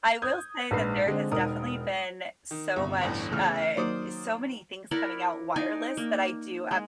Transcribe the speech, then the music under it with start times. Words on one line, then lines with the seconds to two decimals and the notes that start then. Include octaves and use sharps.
I will say that there has definitely been so much, uh so many things coming out wireless that I do
0.22 D#6 G6 G#6
0.71 A#1 G#2 B4 C7
1.06 D3 G#3 C4
1.32 E1 D#4 A#4 D#6
2.51 D#3
2.76 G1 C2 G3 C#6
3.01 A1 D2 A2
3.32 E2 C#3 E3 A3 F6
3.77 D#3 F#3 A#3 C5 D5 D#6
4.91 E4 A#4 D5 F#5
5.56 D#4 D5 G#5
5.97 A#3
6.71 G#3